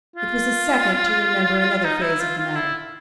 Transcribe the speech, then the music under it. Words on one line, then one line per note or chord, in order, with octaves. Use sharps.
It was a second to remember another phase of the matter.
F4
D#4
E4
F4
F4
E4